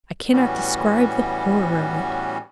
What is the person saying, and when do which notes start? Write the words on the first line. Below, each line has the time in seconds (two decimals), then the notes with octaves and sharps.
I cannot describe the horror of it.
0.33 A2 E3 G3 B3 C#4 F#4